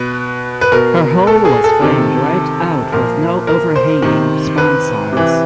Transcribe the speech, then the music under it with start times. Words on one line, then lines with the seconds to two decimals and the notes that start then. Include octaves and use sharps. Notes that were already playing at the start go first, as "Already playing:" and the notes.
Her hull was flamed right out with no overhanging sponsons.
Already playing: B2 B4
0.61 B4
0.72 B2 A#4
1.27 A4
1.45 G#4
1.64 A4
1.82 C3 D#3
2.92 A#2 F3 A#4
3.47 A#4
3.76 C5
4.02 C3 D#3
4.58 B4
5.13 C3 E3